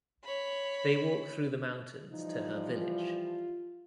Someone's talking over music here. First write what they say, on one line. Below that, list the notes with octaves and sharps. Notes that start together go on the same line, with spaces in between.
They walk through the mountains to her village.
C#5 B5
E3 F3 G3 D#4
F4